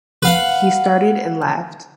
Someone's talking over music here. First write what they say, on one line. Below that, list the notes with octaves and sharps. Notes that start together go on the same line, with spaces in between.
He started, and laughed.
B4 F5 F#5